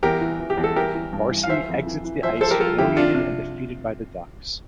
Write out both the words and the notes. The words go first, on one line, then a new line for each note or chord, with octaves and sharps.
Varsity exits the ice humiliated and defeated by the Ducks.
E2 G4 A#4
E3
E3
G4
E2
A4
E3 G4 A#4
E3
G2
E3
F5
E3 C5 E5
F2
E3
E3
F3 C5 E5
F3 A4 C5
G4 A#4
F3 F4 A4
F2 E4 G4
F2 D4 F4
C3